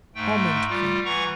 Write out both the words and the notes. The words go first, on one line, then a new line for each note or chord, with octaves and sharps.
Almond Cream.
G#2 A3 G5
G3 F4
E3 F#5 A#5 C#6